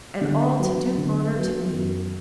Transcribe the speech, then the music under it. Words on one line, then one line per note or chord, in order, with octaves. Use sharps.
And all to do honour to me!'
D3
F#3 B3
D3
F#3 B3
F#2